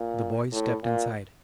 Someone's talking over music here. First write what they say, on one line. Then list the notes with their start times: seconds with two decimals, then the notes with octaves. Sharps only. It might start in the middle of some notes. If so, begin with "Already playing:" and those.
The boys stepped inside.
Already playing: A#2
0.52 A2
0.84 A#2